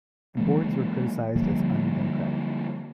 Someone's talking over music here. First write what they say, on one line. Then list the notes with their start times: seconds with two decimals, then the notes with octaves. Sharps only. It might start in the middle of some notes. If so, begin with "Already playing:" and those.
The Boards were criticized as undemocratic.
0.37 E3 F#3 G#3 A#3
1.36 D3 F3 G3 A#3